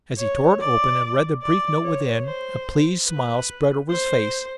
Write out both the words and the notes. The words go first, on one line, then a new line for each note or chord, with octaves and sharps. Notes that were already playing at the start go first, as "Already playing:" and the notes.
As he tore it open and read the brief note within, a pleased smile spread over his face.
C#5
D5
D5
C#5
C5
B4
C5